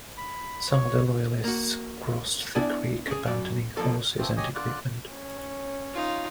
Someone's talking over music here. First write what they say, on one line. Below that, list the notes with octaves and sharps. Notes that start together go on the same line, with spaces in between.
Some of the Loyalists crossed the creek, abandoning horses and equipment.
B5
C#5
A#3 F#4
B3 D4 E4 D5 G#5
C#4 G#4
F#2 D5
B2 F3 A#3 A4
E3 F3 A3 C4
G4 C#5 D#5 G#5 D#6
D3 F4 D5 F#6
C#4
D#4 F4